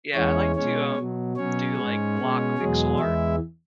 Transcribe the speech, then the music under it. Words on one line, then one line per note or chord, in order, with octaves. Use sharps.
Yeah, I like to, um, do, like, block pixel art,
E2 E3 G#3 C#4 C#5
B2 G#3 C#4 C#5
B2 F#3
B2 F#3 C#4 C#5
G#2 G#3
B2 G#3
E2 B2 F#3 G#3 G#4
E2 E3 G#3 E4 E5